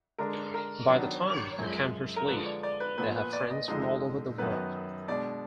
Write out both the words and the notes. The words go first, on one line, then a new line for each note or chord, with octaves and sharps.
By the time the campers leave, they have friends from all over the world.
D3 G#3 D4 A#4
A#4
D#3 F#3 B3 D4
F#2 F3 G#3
A#4
D3 F3 G#3 B4
D5
D5
B4
A#2 F3 B3 B4
B4
D5
D#5
F2 D3 F3 G#3 D#4 D#5
F#2 D#3 F#3 B3 D#4 B4
B2 G#3 D4 D5